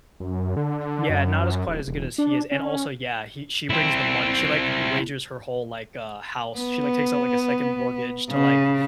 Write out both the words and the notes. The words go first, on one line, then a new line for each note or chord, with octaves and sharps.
yeah, not as quite as good as he is, and also yeah, he she brings the money, she, like, wagers her whole, like, uh, house, she, like, takes out, like, a second mortgage to, like,
F#2
D3
F#2
D1
E1
D4
C#4
C4 E4
B3
C#3